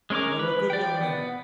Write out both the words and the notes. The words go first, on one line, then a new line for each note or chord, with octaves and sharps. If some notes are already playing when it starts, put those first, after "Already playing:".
You are a good young man.
G#3 C#4 A#4 A#5 D6
B4
D5 G5
B3